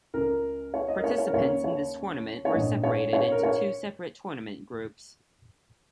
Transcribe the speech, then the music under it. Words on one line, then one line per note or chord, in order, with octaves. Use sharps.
Participants in this tournament were separated into two separate tournament groups.
C#2 C#3 A#4
C#5
D#5
A#4
C#5
C#5
A#4
D#2 C#3 C#5
C#5
C#5
A#1 G#2 D#3 D#5
C#5
C#5
A#4
C#5